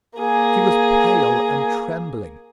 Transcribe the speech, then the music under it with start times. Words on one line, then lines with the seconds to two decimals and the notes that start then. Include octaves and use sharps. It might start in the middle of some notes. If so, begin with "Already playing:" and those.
She was pale and trembling.
0.19 A#3 G#4